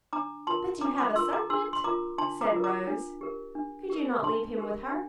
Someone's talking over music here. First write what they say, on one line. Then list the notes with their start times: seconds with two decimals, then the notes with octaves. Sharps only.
'But you have a servant,' said Rose; 'could you not leave him with her?'
0.13 D4 A#5 D6
0.47 F4 A#4 A5 C6
0.81 D4 A#5 D6
0.98 A#5 D6
1.16 F4 A#4 C6 E6
1.33 A#5 D6
1.50 D4 C6 E6
1.73 C6
1.84 F4 A#4 A#5 D6
2.18 D4 A5 C6
2.41 A#5 D6
2.52 F4 A#4
2.64 A#5 D6
2.87 D4
3.21 G4 A#4
3.55 D4
3.90 G4 A#4
4.23 D4 A5 C6
4.58 G4 A#4
4.92 D4